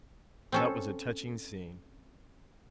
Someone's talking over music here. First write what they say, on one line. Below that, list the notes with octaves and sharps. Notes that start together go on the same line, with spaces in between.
That was a touching scene.
C4 C#4 A4